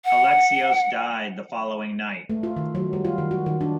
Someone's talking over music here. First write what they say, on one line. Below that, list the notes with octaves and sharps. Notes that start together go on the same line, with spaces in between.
Alexios died the following night.
F#5
A3
F4
D#3
F#3
G3
F4
D#3
F#4
D#3
D4